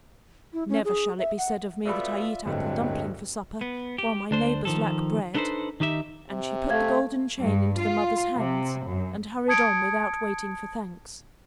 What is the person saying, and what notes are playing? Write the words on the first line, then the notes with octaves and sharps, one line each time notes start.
"Never shall it be said of me that I eat apple dumpling for supper while my neighbors lack bread;" and she put the golden chain into the mother's hands and hurried on without waiting for thanks.
E4
C#4
G#4
E5
F#5
B2 A3 F4 D5 E5 B5
D1 D2 G2 F#3 G#3 A3 C4
B3
G4
D2 D4 C5
D#3 F3 A4
B3 D4 D#4 A4 B4 C5
D#3 D#4 G4 E5
C3
A3 F5 G#6
G2
F4
C3
F#2
A5 D#6 G#6 C#7 D7